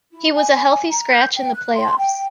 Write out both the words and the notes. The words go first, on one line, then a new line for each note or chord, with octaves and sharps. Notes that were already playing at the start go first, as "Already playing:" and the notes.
He was a healthy scratch in the playoffs.
E4
G#5
G#5
A#5
G6
G5
F#6
C6
G5